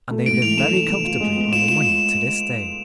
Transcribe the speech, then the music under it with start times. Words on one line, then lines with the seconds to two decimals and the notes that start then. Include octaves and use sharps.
And they live very comfortably on the money to this day.
0.11 A3
0.26 G#2 D7
0.42 E3 F7
0.57 A3 E7
0.73 A3
0.89 A3
1.05 F4
1.20 G#3
1.37 B3
1.52 F4 E7
1.68 F4 E7